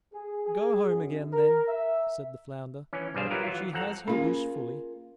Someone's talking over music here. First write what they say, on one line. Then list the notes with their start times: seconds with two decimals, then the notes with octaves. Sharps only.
"Go home again, then," said the flounder; "she has her wish fully."
0.13 G#4
0.46 G#4
0.92 F#2
1.33 A#4
1.68 E5
2.93 E3 C#4
3.14 B1 G2 G3 G#4 C5 F5
3.30 F#3 E4 F4 G4 A#4 B4
3.43 E3 F#3 F4
3.73 F2 C4 A4 F#5 A#5
4.08 A#3 C#4 F4 G#4